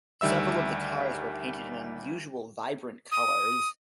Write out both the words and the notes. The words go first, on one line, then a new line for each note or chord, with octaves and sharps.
Several of the cars were painted in unusual, vibrant colors.
D2 D#3 G3 E5 E6
D#6